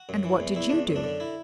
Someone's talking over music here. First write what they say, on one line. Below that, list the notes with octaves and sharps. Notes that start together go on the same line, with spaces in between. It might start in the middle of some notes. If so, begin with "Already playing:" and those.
'And what did you do?'
Already playing: F#4
F#2
E3
E2
E2 E4
E2 D4
F#2
D4
D3
E4